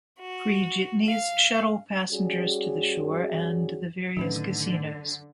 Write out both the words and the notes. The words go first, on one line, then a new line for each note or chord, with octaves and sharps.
Free jitneys shuttle passengers to the shore and the various casinos.
F#4
F5
G3 C#4 F#4 G#4
A2 D3 D#3 F#3 C#4 B4